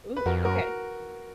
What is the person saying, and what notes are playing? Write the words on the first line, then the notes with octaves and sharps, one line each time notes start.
Ooh, okay.
B4
F2 F#4 A#4
F#2 F#4 A#4